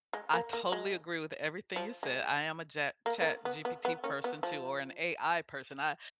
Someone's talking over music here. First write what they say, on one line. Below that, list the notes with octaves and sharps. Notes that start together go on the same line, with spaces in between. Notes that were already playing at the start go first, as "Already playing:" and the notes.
I totally agree with everything you said. I am a ja ChatGPT person, too, or an AI person. I
G#3
A#3
A#3
G#3
F3
G#3
A#3
B3
A#3
B3
B3
B3
A#3 C#4
B3
F3